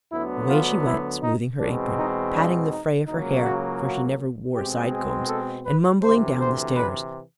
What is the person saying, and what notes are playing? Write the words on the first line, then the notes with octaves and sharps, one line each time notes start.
Away she went, smoothing her apron, patting the fray of her hair--for she never wore side-combs--and mumbling down the stairs.
D2 D3 F#3 B3 E4
F4
E4
D#4
E2 B2 G#3 C4 D4
D#4
D4
D#4
C#2 C#3 F#3 A#3 D#4
F#4
F#4
B2 G#3 C4 G4
G#4
A4
B4
D2 C3 E3 C5
C5
B4